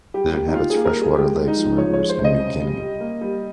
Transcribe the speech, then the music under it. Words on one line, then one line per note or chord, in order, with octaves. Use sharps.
It inhabits freshwater lakes and rivers in New Guinea.
G3 G4
A#3 G4
D#4
G3 F4
G#4
A#3
A#4
G3
G#4
G#3 G4
G#3
D#4
F3
F3 C#5
G#3 C#5
C5
C3 D#5
C#3
G3
G3
A#3
G3